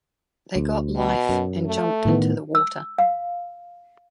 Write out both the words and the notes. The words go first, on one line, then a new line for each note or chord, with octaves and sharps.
They got life and jumped into the water.
D2
B2
F#2
A3
A2 D#3 B3
E6
F5